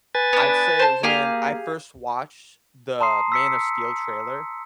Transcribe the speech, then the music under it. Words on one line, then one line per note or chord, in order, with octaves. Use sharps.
I'd say when I first watched the Man of Steel trailer,
B4 G#5 A6
B3 D4
C5 A5
A#3 G4 G#4 F5
A5 A#5 C6 D#6 C7
E6 B6 C#7